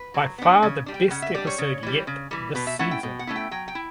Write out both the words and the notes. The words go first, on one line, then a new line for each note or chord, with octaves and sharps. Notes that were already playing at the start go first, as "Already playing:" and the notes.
By far the best episode yet this season.
Already playing: B4
F#3
B3 D4
C#3 C#5
G3 D4
G5
C#3 F#5
E5
G3 D4 D5
C#5
C#3
E3 G3
C#3
E3 G3
B2 B4
E5
A3 C#4 E4 F#5
G5
B2
F#5
A3 C#4 E4
G5
F#3 G5
G5
E4